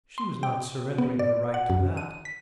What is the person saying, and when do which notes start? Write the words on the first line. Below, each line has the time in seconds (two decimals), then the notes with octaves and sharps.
She was not surrendering her right to that.
0.18 C6
0.43 G5
0.98 B3
1.19 D5
1.54 F#5
1.70 F#2
1.97 D#7
2.25 B6